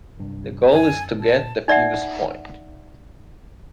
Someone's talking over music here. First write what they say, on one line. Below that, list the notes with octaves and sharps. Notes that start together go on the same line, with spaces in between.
The goal is to get the fewest points.
B1 G2 C3
F#2 G#5
A#2 A5
D#4 D5 E5 F#5